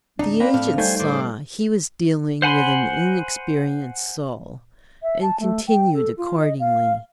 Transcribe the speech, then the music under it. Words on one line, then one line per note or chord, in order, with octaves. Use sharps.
The agent saw he was dealing with an inexperienced soul, and continued accordingly.
D1 D4 D#4
A#3 C4 A#4 B4 D5 F5 B5
A2 F3 D4 F6
G3 A3 D#4 C5 G5 G#5 G6
A2 C5 D5
C5 F#5 G#5 B5 C6
E5
A5
A3
G5
A4
F4
D#5
F5